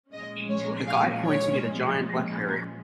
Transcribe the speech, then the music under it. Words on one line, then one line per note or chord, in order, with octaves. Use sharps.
A guy pointing at a giant Blackberry.
A#2 F3 G#3 C#4 D#5
C#5
F5
C#5